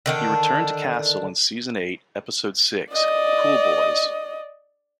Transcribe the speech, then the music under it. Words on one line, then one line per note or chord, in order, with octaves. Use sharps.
He returned to Castle in season eight, episode six "Cool Boys".
D3 D#3 D4
D5 D#5